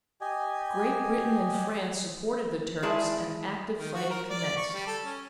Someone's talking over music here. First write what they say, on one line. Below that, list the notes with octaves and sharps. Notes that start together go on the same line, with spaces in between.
Great Britain and France supported the Turks and active fighting commenced.
G4 D#5 G#5
G#3 E4 G#4 D5 E5 A5
D#3
F#4
A#4
D5
C#6
G3
A4
C#4